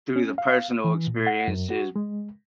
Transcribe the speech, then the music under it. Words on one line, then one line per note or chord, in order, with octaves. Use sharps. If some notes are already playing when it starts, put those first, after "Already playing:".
through the personal experiences,
C#4
F5
E3
A#2
F#5
F#2
F#4
G#3